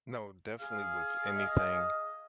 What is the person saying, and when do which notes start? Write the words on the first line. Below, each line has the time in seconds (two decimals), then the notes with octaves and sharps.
No, definitely with anything,
0.60 G#4 F5
1.36 D#5